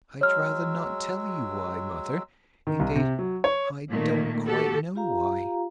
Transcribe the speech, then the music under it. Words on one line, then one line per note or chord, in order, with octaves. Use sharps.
"I'd rather not tell you why, mother; indeed, I don't quite know why."
F#3 G#3 C#5 E6 F6
D#3
C2
C3
F#3
C#5
A#2 D#3 A3 A#3
F#4 G4 A4
F4 G4 F5 A#5